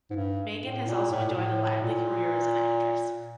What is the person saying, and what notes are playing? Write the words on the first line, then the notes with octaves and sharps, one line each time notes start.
Megan has also enjoyed a lively career as an actress.
G#2
G2
A2
A#2
A2
A#2
A2
A#2